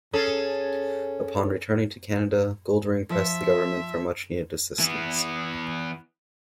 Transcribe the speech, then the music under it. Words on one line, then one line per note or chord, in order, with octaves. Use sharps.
Upon returning to Canada, Goldring pressed the government for much needed assistance.
C#4 G#4 A4
F3 E5
E3 B3